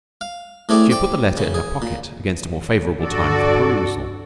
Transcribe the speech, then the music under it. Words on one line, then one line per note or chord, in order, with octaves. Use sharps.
She had put the letter in her pocket against a more favourable time for perusal.
F5
A2 A3 C4 G#4 D5
C5 D5 G5
C#3
G#4
A#2
G2 D3 F#4 A4 D5